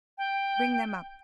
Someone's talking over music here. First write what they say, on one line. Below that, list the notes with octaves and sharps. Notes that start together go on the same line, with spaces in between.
Bring them up.
G5